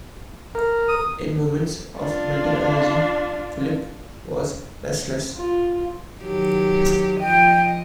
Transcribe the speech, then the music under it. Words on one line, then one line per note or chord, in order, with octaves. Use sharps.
In moments of mental energy Philip was restless.
A#4
D#6
D4 F4
F4
D#3 F#3 G4
F3 D#5 G5